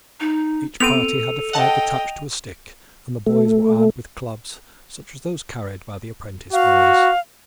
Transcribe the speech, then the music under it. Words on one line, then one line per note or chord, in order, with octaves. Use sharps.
Each party had a flag attached to a stick, and the boys were armed with clubs such as those carried by the apprentice boys.
D#4
B3 C4 A4 D7 D#7 F7
D#5 F#5 G5 A5
A3
F#4 F5